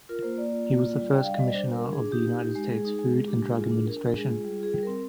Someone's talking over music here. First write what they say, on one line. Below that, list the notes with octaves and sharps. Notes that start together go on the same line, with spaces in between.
He was the first commissioner of the United States Food and Drug Administration.
F4 A#4
A#3 C5
A#3 D5
F4
A#3
F4
G3
D4 G5
G3 F5
D#5
G3 D5
D4 C5
G3 A#4
D4
G#4
D4
D#4 G4
D#4
D#4
G#3
G#3 G#4
D#4
G#3
G#3
D4 G4
G#3
F4 G#4
D4
D4 A#4
D4
G#3 G#4
F4
G3 G#4
F4 G#4
G3
C4 A#4